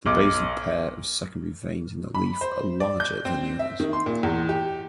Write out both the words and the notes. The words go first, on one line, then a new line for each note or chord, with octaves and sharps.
The basal pair of secondary veins in the leaf are larger than the others.
B1 D6
B5
C5
D5
G6
C4
E5
D#3
C6
A#2
E2
G4